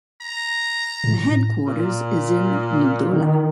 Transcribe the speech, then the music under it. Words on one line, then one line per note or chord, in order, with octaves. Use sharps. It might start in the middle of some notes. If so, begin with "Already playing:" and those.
The headquarters is in Ndola.
A#5
A2
A#2
D#3